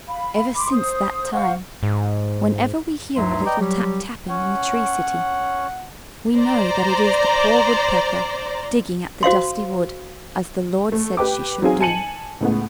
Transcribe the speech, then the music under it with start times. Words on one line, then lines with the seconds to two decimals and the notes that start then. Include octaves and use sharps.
Ever since that time, whenever we hear a little tap-tapping in the tree city, we know that it is the poor Woodpecker digging at the dusty wood, as the Lord said she should do.
0.08 F5 B5
0.55 B5 C6 D6
0.72 C5 D#6
1.33 C5 F5 F#5 C#6
1.83 G#2
3.16 D2 G2 F#3 D#4 E5 C6
3.46 B4 D5 D#5 G5 A#5
3.60 F#3 G3 G4
4.29 C#4 C#5 F#5
6.35 C5 D5 A#5
9.23 F#4 C5 F5 C6
10.92 A3
11.17 G4 B4 G5 D6
11.62 F#3 C4 D#4 G#4 F5 G#5
11.80 G#5 A5 C#7 D#7 F#7
12.41 C#2 A2 B3